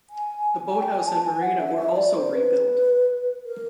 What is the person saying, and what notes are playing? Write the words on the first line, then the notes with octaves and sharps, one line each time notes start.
The boat house and marina were also rebuilt.
G#5
G#5
G5
G#5
A5
G#5
F#5
E5
E5
D5
C5
B4
A#4